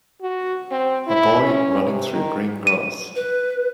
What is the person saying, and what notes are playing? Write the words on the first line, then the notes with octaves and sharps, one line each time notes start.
A boy running through green grass.
F#4
C4
E4
C#4
C3
D#3
D#7
B4